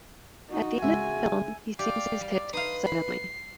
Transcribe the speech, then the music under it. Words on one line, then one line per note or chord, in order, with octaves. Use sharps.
At the end of the film, he sings his hit Suddenly.
D#4 F#4
C#3 G#3 E5 G#5
G4 D5 F5 G5
G3
D#4 B4 F5 C6 D#6
B5 C7